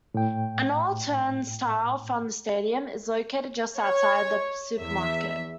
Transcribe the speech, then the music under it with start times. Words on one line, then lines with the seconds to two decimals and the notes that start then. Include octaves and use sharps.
An old turnstile from the stadium is located just outside the supermarket.
0.14 A2 G5
3.78 C#5
4.80 E2 E5